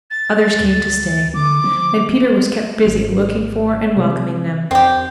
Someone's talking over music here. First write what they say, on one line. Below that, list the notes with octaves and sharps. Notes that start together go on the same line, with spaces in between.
Others came to stay, and Peter was kept busy looking for and welcoming them.
A6
D2
D3 D6
F3
G#1
C3
F2 C4 G4